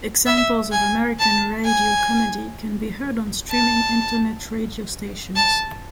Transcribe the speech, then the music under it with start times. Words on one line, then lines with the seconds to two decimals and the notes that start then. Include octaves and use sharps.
Examples of American radio comedy can be heard on streaming internet radio stations.
0.26 E5
0.72 G#5
1.19 A5
1.65 G#5
3.51 A5
5.36 A5